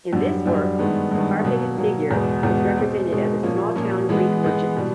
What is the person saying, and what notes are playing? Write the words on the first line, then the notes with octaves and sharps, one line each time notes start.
In this work, the Harpagon figure is represented as a small town Greek merchant.
F#2 D3 G3
F#2 D3 G3
G2 D#3 G#3 B3
G2 D#3 G#3 B3
B2 F#3 A#3
B2 F#3 A#3
E2 B2 G#3 B3
E2 B2 G#3 B3
B2 G#3 C4
B2 G#3 C4
A#2 F3 A#3 C#4
A#2 F3 A#3 C#4
E3 G#3 B3
E3 G#3 B3
B2 G3